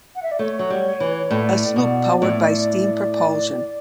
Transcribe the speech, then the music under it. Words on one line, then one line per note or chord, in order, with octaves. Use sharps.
A sloop powered by steam propulsion.
F#5
E5
D5
A3 C#5
F#3
G3
E3
A2 D5
B2
A2